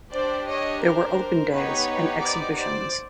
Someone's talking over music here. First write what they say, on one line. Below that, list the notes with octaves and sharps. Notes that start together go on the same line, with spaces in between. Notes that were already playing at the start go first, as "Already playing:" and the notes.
There were open days and exhibitions.
D4 G4 C5 D5
C#5 D#5
A#4 C5
B3 D#4 G4 B4 C#5
C5 D5
C5 D5